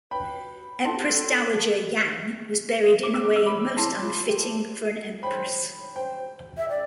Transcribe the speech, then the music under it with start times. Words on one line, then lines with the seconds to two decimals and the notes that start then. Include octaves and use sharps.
Empress Dowager Yang was buried in a way most unfitting for an empress.
0.11 B4 G5 B5
0.85 A4 A5 C6
0.96 G4
1.06 A4
3.03 D6
3.14 E6
3.25 D6
3.36 E6
3.46 B5 D6
3.77 E4 A5 C6
4.01 F4
4.26 G4
5.23 C5 G5 B5
5.96 C5 G5
6.58 E5
6.69 D5 G5